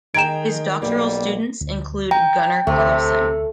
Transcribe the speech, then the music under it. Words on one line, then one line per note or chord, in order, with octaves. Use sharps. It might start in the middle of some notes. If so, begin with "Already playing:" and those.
His doctoral students include Gunnar Carlsson.
D#3 G#3 G5 A#5 G#6 D7 E7
B1 G3 A#3
D2
G5 A#5
D2 C3 A3